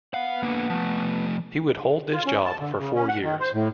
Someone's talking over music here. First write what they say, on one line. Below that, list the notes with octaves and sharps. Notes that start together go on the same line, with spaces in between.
He would hold this job for four years.
B3 F5 F#5
D3 A#3
F3 A3
F4
C#4
A5
D3
C#3
C#4
F#5
D#3
C5
A2